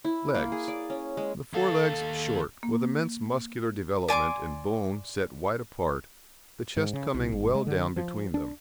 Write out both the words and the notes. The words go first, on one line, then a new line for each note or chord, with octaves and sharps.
LEGS--The fore-legs short, with immense muscular development and bone, set wide apart, the chest coming well down between them.
E4
A#3
G#4
D5
C#4
G#3
D#2 A4 F5
A#3
D5 G#5 C6 D6
G#2
C#3
C2
G1
G#3
D3
F3
D4